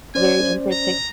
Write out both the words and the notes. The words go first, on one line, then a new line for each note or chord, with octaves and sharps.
very unpretic
C#4 C5 D5 G#5
A#5